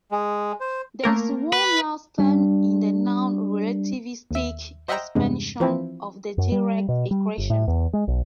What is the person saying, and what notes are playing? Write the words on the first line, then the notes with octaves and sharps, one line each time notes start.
There is one last term in the non-relativistic expansion of the Dirac equation.
G#3
C5
A3 A#3 A#4
B4
G3 D4
D#2 E5
C5 D#5 E5 F#5 G5 A#5
E2 G2 C3 G#3
E3 F3 C4 E4
F#2
G3
B2
G3
G1
A2
E2
G#3
B1